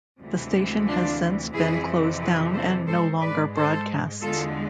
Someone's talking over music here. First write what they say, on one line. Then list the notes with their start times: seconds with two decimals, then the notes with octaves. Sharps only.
The station has since been closed down and no longer broadcasts.
0.20 D2 C3 E3 G#3
0.87 D4 F4
1.53 F2 C3 E3 E4 G#4
2.21 G#4 B4
2.54 A4 C5
2.87 G#2 G#3 A4 C5
3.21 B4 D5
3.54 A4 C5
4.21 E2 D3 G#3 F4 A4